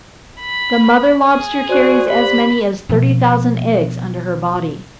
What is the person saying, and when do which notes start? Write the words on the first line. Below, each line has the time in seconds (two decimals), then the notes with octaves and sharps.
The mother Lobster carries as many as thirty thousand eggs under her body!
0.41 B5
1.23 G#4
1.69 F#4 C5 D5 F#6
2.09 G4 B5
2.89 B2 F3